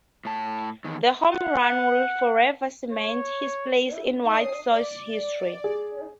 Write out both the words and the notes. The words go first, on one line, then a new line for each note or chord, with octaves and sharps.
The home run would forever cement his place in White Sox history.
A2 A5
E2 D#3
F#5
C#5
D#6 C7
D5
G#4